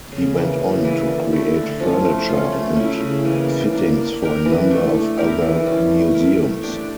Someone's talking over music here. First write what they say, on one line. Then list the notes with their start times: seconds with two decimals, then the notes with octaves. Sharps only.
He went on to create furniture and fittings for a number of other museums.
0.12 C#3
0.35 E3 A#3
0.60 C#3
0.84 E3 A#3 E4
1.08 D3
1.32 A3 E4 A4
1.56 D3
1.80 F3 C#4 F4
2.05 A3
2.29 C#4 F4
2.52 A3
2.76 C#4 E4
3.00 C#3
3.25 E3 A#3 C#4
3.49 G3
3.73 A#3 D4
3.97 A#3
4.22 D4 G4 A#4
4.45 E3
4.70 A3 D4
4.93 A3
5.18 E4 G4 A#4
5.42 E3
5.66 G3 C#4
5.90 A3
6.15 E4 A#4
6.39 A3
6.63 D4 G4